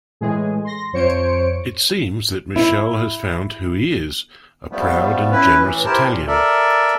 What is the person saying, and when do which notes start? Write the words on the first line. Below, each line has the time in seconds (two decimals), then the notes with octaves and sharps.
It seems that Michele has found who he is, a proud and generous Italian.
0.21 A2 E3 G#3 G#4
0.64 C6 A#6
0.92 F2 F3 C5 C#5 C#7 D7
2.56 E4
4.72 F3 G3 A3 B3
5.32 C#4 E4 B4
5.62 A2 E3
5.85 E4 G4 A#4 C5 A5
6.07 A#2
6.28 A4 A#4 D5 E5